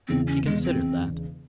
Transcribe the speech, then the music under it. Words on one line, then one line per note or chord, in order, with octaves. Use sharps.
She considered that.
E1 E2 C#3 E3 C4
C#4
G#3
C4